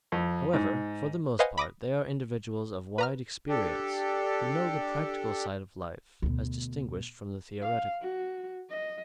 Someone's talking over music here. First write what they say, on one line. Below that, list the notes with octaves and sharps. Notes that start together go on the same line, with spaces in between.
However, for the most part, they are individuals of wide experience who know the practical side of life as distinguished from the theoretical.
F2
G#2
B4 C5 D#5 F5 F#5 G#5
B5 D6 D#6 A#6
B4 A#5 F6
D4 G4 A4
D2 B2
F5
F#4
D#5